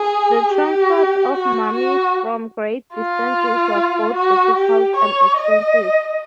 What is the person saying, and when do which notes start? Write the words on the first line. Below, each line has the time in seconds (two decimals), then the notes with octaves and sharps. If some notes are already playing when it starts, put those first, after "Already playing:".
The transport of mummies from great distances was both difficult and expensive.
Already playing: G#4
0.52 G4
1.33 F#4
1.73 F#4
2.94 F4
4.15 F#4
4.56 G4
4.96 C#5
5.36 D#5